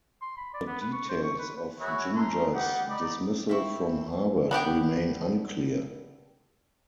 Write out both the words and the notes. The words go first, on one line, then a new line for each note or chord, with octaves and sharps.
The details of Ginger's dismissal from Harvard remain unclear.
C6
B5
D5
B3
B4
C#6
C5
C#6
B4
E4 F#4 G#4 C#5
A3 C#4 D#4 A4 A#5 C6
G3 G4 D#5 F#5
D#4 D5 B5
C4 E4 E5 C#6
B3 D4 G4 G5